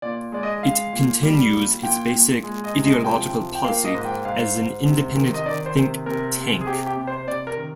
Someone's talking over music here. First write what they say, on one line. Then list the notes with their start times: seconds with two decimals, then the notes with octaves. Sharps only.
It continues its basic ideological policy as an independent think tank.
0.02 A#2 D5
0.32 G#3 D5
0.43 D#5
0.63 G#3 F5
0.93 A#2
1.23 G3
1.54 A#2
1.83 A#2 G5
2.14 A#2
2.44 G#3
2.64 D#5
2.74 C3
2.84 D#5
3.04 F3 G5
3.35 F3
3.55 G5
3.65 A#3 F5
3.85 D#5
3.95 G#2
4.05 G5
4.25 G#2 F5
4.55 G#2
4.86 C3
5.16 D#3
5.34 D#5
5.46 D#3 D5
5.66 C5
5.76 C3
6.06 C3 A#4
6.37 C3
6.61 G#4
6.67 C3 G4
6.87 G4
6.97 C3
7.07 C5
7.27 C3 D5
7.47 A#4
7.57 D#3